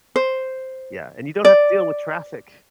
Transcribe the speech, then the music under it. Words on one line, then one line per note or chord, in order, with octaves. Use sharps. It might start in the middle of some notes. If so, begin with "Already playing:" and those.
Yeah, and you don't have to deal with traffic,
C5
D5